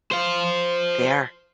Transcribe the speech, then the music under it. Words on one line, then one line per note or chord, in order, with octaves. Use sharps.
They are.
C5 F5